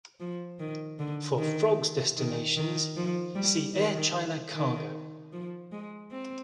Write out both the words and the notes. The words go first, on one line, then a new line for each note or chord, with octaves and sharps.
For frogs destinations see Air China Cargo.
F3
D#3
D3
D#3
D#3
D#3
F3
G3
D#3
D#3
F3
G#3
C4